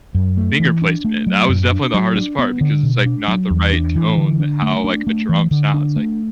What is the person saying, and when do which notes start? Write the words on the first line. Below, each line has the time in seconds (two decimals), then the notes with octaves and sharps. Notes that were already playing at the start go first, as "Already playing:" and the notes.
finger placement, that was definitely the hardest part, because it's, like, not the right tone that how, like, a drum sounds, like,
0.15 F#2
0.37 A3
0.60 E3
0.82 D4
1.05 A3
1.27 F#3
1.49 F#2
1.72 D4
1.94 F#3
2.16 D4
2.39 B3
2.61 D3
2.83 B2
3.06 D4
3.28 F#3
3.50 E2
3.73 D4
3.96 E3
4.17 D3
4.40 D4
4.62 A3
4.84 D4
5.07 A3
5.29 E3
5.51 D3
5.74 D4
5.96 A3